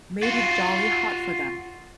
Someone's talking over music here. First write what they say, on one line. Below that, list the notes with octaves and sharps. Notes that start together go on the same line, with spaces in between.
Made it jolly hot for them!
F4 F#4